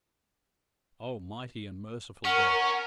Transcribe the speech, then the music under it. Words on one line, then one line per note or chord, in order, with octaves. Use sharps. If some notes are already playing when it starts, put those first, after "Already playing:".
Oh, mighty and merciful Death!
C#4 A#4 F#5 C#6 F6